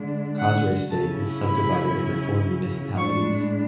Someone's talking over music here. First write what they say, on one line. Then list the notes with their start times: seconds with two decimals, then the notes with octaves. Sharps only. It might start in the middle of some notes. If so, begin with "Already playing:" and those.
Kosrae State is subdivided into four municipalities.
Already playing: D3 G#3 D4
0.38 F#5
0.90 C#3 F#3 C#4 E4 A5
1.42 B5
2.97 A2 G#3 D4 C#6